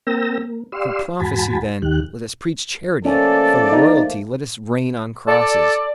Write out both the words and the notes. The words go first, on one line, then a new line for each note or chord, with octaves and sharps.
For prophecy, then, let us preach charity; for Royalty, let us reign on crosses.
A#3 C4 A#4 G5 E6 A#6
A#3
G4 D5 F5 C6 E6
E2 G#2 F#4 G#5 A5 B5
D#2 D#3 G4 F#6
F3 A3 A#3 C#4 A4 D5
D#4
A4 D5